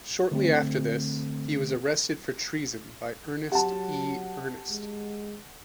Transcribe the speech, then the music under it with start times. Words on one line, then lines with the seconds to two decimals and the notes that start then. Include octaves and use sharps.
Shortly after this, he was arrested for treason by Ernest E. Earnest.
0.32 D3 A3 C4
3.52 F#3 G4 F#5 A5
4.71 G#3